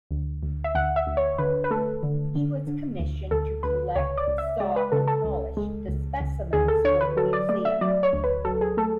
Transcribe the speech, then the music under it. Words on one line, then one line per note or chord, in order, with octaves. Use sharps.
He was commissioned to collect, saw, and polish the specimens for the museum.
D2
D2
E5
D2 F#5
E5
D2
C#5
D3 B4
B4
A3 A4
D3
D3
D3
D2
D2 A4
D2 B4
C#2 C#5
D5
C#2
E5
G#3 D5
B4
C#3 A4
A4
C#2
G#3
C#2
C#2
D2 G#4
A4
D3 C#5
B4
F#3 A4
D5
A3 D5
E5
F#3 D5
C#5
D2
B4
F#3 A4
G#4
A3 A4